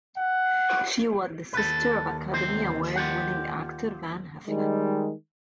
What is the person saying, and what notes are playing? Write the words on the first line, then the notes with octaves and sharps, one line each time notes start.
She was the sister of Academy Award-winning actor Van Heflin.
F#5
D#2 A4 B4
E2 C3 C5
F4 G4 F#5
D#3 G3 G#3